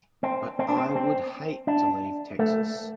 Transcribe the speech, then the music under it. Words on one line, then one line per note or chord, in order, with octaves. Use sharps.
But I would hate to leave Texas.
C4
C4
D4
C4
C4
D4
A3